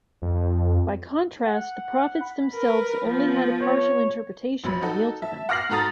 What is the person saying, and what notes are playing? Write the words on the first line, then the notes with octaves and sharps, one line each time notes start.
By contrast, the prophets themselves only had a partial interpretation revealed to them.
F2
F#5
B5
A#4 B4
F3 B3
C#5
A#1 F#3 B5
D#4 F#4 A4
E5 A5
F#5 D6 F6 A#6 C7 F#7
G#2 F#4 A4 A#5 D#6 A6